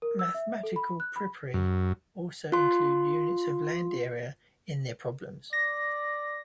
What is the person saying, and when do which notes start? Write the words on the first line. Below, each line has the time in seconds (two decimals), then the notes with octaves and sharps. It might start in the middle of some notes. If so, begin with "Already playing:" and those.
Mathematical papyri also include units of land area in their problems.
0.02 A#4
0.19 E6
0.34 E5
0.63 A4
0.76 B5
1.00 F#6
1.16 B5
1.54 F#2
2.52 F4 C6
5.53 D5 A#6